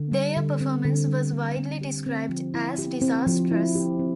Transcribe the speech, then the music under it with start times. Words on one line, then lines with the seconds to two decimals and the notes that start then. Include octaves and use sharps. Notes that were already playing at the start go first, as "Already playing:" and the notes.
Their performance was widely described as disastrous.
Already playing: D3
0.12 G3
0.37 D3
0.61 C4
0.85 D3
1.08 G3
1.33 D3
1.57 C4
1.81 G4
2.06 C4
2.29 F3
2.54 E4
2.79 G4
3.02 C4
3.27 F3
3.51 E4
3.75 G4
4.00 C4